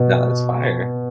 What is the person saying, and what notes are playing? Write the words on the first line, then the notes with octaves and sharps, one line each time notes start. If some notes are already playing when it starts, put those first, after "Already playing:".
No, that's fire.
Already playing: B2